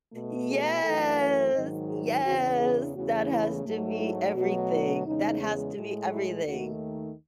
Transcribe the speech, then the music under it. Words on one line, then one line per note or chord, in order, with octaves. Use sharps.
Yes, yes. That has to be everything. That has to be everything.
B2 A3
G#4
F#2 E3 A3 A4
C#5
G#2 D#3 F#3 D#5
G#4
E2 C#3 E3 F#4
G#4
E2 C#3 E3 A3 F#4
E4
G#2 F#3 A3
E4
B2 F#3 A3 F#4
E4
E2 C#3 G#3 D#4
A2 G#3
E4
D#2 D#3 A3 F#4